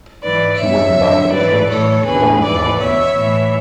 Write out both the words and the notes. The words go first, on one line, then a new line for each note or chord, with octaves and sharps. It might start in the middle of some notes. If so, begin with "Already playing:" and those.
He was Ambassador for Pacific Economic Development.
G#2 E3 B4 D5
E2 B2 C#5 E5
F#2 D3
G#2 E3 B4 D5
A2 E3 A4 C#5
E2 D3 G#4 B4
G#2 E3 B4 D5
E2 B2 C#5 E5
A2 E3